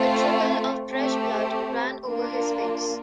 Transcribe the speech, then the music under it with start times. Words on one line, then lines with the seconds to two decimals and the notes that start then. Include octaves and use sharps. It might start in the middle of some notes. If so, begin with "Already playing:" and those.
A trickle of fresh blood ran over his face.
Already playing: A3 C4 F4
0.91 A3 C4 G4
2.06 A#3 D4 F4